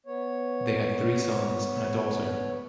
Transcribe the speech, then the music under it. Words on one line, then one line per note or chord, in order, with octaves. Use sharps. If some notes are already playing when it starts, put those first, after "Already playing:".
They had three sons and a daughter.
B3 C#5